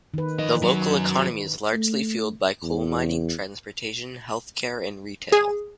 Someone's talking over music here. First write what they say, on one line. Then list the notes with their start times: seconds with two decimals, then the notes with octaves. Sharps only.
The local economy is largely fueled by coal mining, transportation, health care and retail.
0.14 D#3 B4
0.39 F3 D#4 D#5
0.62 F#2 F#3
1.74 A3
2.63 E2
5.32 G#4